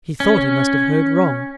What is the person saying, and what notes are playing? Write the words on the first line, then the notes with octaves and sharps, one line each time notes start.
He thought he must have heard wrong.
C#4